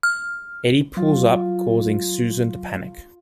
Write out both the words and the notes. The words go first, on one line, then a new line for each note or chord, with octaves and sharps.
Edie pulls up, causing Susan to panic.
F6
F#3 F4